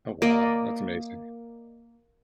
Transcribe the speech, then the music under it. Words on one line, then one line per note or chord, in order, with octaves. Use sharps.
Oh, wow. That's amazing.
A#3 D5 D#5